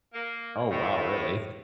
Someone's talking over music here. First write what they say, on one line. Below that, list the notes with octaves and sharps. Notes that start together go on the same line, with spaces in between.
Oh, wow, really?
A#3
A2